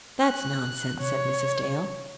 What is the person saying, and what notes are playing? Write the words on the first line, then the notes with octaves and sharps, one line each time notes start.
"That's nonsense," said Mrs. Dale.
F#6
C3 C#5